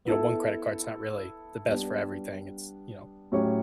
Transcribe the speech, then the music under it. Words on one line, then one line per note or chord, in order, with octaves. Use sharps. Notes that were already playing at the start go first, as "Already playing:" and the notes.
you know, one credit card's not really the best for everything. It's, you know
B3 E4 A4
G3 B3 D4
A2 F#3 C#4 G4 C#5